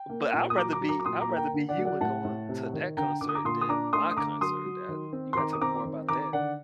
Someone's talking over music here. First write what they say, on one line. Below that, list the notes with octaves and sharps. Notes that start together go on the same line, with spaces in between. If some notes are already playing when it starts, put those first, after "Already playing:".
but I'd rather be I'd rather be you and going to that concert than my concert that you gotta tell me more about that.
Already playing: G5
A#3
A#2
D#6
F#3 A#5 D6
A#5 D6
F#3
A#5 D6
D6
A#2 C6 D#6
A#5 D6
A#3
G5 A#5
D3
D5 F#5
F#3
D5 F#5
A2 F#5 A5
A2
C3
D#3
D3 G5 A#5
D3 D6
D#6
A#5 D6
A#2 C6 D#6
D#6
D4 A#5 D6
A3 C6 D#6
D#6
D3 A#5 D6
F#3 C6 D#6
F#3
D#3
C4
C6
D#3 A#5 D6
D#6
C4 A#5 D6
D#3
D#3 A#5 D6
D3 D5 F#5